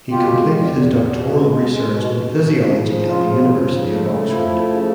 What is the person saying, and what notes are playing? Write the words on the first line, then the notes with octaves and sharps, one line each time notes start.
He completed his doctoral research in physiology at the University of Oxford.
B2 F4 G4
G#3
E2
E2
E2
B2
G#3
G#3
G#3
B2
B2
B2
F3
C#3
F3
C#3 F4
F3
F3
C#3
A3
A3
F3 E4
A3
C#3